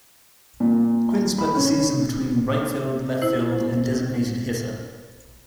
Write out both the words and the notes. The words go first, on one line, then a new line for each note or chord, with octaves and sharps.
Quinn split the season between right field, left field, and designated hitter.
A#2
B5
C#4
E4 C5